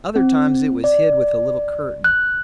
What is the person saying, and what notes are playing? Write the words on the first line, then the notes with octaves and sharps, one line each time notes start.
Other times it was hid with a little curtain.
C4
D5
F#6